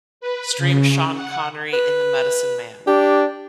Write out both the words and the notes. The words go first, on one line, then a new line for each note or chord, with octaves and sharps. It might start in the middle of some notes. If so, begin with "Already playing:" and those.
stream Sean Connery in The Medicine Man,
B4
C#3
F#5
B4
D4 G4